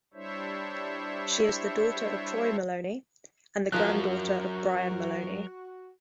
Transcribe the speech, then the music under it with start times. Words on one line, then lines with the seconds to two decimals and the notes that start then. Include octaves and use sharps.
She is the daughter of Troy Moloney and the granddaughter of Brian Moloney.
0.14 G3 D4 E4 C5 C#5 E5
3.72 F3 F#3 F#4 A#4 F#6